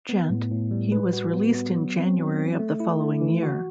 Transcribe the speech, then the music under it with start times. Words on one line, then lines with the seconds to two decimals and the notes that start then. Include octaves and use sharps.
Gent, He was released in January of the following year.
0.09 B3
0.30 A2
0.51 A2
0.71 G3
0.92 B4
1.13 F#4
1.34 B3
1.55 B3
1.76 F#3
1.97 C4
2.17 F#3
2.38 C4
2.59 A3
2.80 E4
3.01 A3
3.21 E3
3.43 F#4